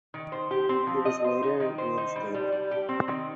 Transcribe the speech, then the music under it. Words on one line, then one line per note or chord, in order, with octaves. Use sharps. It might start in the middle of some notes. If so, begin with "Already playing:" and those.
He was later reinstated.
D#3
C5
G4
C4
F3
D#5
C5
D#4
D#3
C5
D#4
G3
G3
G3
G4
C4
D#3